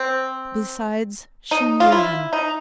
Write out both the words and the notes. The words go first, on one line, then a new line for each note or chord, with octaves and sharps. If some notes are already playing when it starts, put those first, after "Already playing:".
Besides, she knew him.
Already playing: C4
D#4
F4
E4
D#4